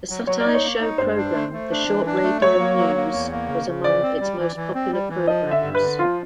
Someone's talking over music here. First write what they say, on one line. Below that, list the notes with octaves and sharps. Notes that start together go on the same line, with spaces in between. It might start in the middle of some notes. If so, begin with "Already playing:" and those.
The satire show program "The Short Radio News" was among its most popular programs.
F#3
F#3 C#5
D5
D#4
C#5
A#3
D#4
G2 C5
D4
A3
A3
D4
E3
D4
A3
F#3 C#5
A#3
F#3
A#3
E2
A#3
C#3
C#3
E3 D5
C4
G3
E3
E3
C4
G3
E3
F3 D#5
D3
E5
G2
B4
D3
F3 F4